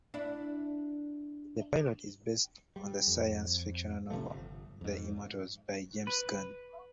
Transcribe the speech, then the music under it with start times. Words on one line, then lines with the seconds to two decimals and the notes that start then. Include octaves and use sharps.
The pilot is based on the science fiction novel "The Immortals", by James Gunn.
0.14 D4 E4
2.76 G3
3.07 F2
4.10 A1 C3 F3 A3
4.26 D1 G1
4.81 F2 G#2
6.07 B4